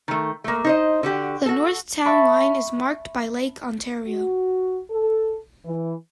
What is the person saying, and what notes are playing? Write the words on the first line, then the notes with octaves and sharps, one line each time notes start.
The north town line is marked by Lake Ontario.
D#3 A3
A3 A#3
D#4 C5 D#5
D3 F#4 G4
F#4 A4
E5 A5 B5 C#6 D7
F#4
A4
E3